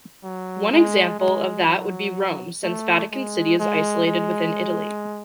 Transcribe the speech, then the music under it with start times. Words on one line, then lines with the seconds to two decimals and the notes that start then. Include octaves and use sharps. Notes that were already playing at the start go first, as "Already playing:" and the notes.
One example of that would be Rome since Vatican City is isolated within Italy.
0.24 F#3
0.72 G#3
1.19 G#3
1.67 F#3
2.63 A3
3.12 G#3
3.59 G#3
4.06 G#3